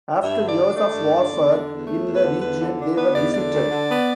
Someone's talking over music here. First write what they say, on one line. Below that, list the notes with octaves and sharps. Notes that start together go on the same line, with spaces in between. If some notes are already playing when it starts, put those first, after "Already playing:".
After years of warfare in the region, they were defeated.
G2 E5
D3
D5
D4
A3 D5
G2
D3
E2
D3
E2
A3
E2
B4
D3
E2 B4
D3
D4
B3 B4
E2 D5
D3 D5
D2
D3
B3